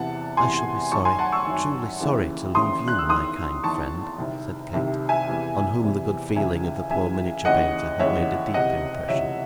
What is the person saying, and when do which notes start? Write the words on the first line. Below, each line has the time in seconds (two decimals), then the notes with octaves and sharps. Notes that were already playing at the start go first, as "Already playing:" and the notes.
'I shall be sorry--truly sorry to leave you, my kind friend,' said Kate, on whom the good feeling of the poor miniature painter had made a deep impression.
Already playing: E2 C3 E3 F#5 A5
0.37 E2 C3 E3 G#5 C6
0.92 F#2 D#3 A5 C#6
1.05 G#5 C6
1.19 F#5 A5
1.32 C#6 E6
1.46 F#2 D#3
2.00 D#2 C#3 E3
2.55 D#2 C#3 E3 C6 D#6
2.88 F#6
2.99 E6
3.09 E2 D#3 C6 D#6
3.64 E2 D#3 A5 C#6
4.18 C2 C3 D#3
4.73 C2 C3 D#3
5.09 E5 G#5
5.27 E2 C3 E3
5.82 E2 C3 E3
6.36 C#2 C#3 E3 E5 G#5
6.90 C#2 C#3 E3 E5 G#5
7.45 D#2 C#3 E3 D#5 F#5
7.99 D#2 C#3 E3 C#5 E5
8.54 C#2 C3 E3 D#5 F#5
9.08 C#2 C3 E3 C#5 E5